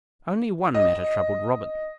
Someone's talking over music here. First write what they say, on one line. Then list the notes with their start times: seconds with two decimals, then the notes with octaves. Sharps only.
Only one matter troubled Robin.
0.74 D#5